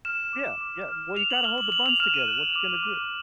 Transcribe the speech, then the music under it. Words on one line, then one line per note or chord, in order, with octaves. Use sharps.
Yeah. Yeah. Well, you gotta hold the buns together, what ya gonna do?
F6 E7
D6
D6
F6
F6 F7
F#7
F6 G7
F#7
F6 F#7
F7
F6 E7
D#7
F#6
D6
D6